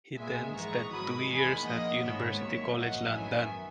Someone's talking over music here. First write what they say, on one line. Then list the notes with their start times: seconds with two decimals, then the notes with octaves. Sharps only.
He then spent two years at University College London.
0.17 B1 A#2 G#3 B3 E5 G#5
0.54 G#1 G#2 E3 G#3 B3 A#5 C#6
0.91 G#2 D#3 F#3 B5 D#6
1.28 E2 D#3 G#3 B3 G#5 B5
1.64 A#1 A#2 A#3 D#5 F#5
2.01 G#1 G#2 D#3 G#3 B3 C#5 E5
2.39 D#2 D#3 F#3 A#3
2.77 A#1 G#2 F#3 D#5 F#5
3.13 F#2 D#3 F#3 B3 E5 G#5